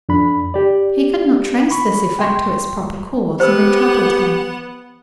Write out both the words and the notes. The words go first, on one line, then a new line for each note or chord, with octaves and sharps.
He could not trace this effect to its proper cause and it troubled him.
F2 D4 B5
G4 D5
B5 C#6
G5 C6 C#6
B3 G4 C5 F#5 E6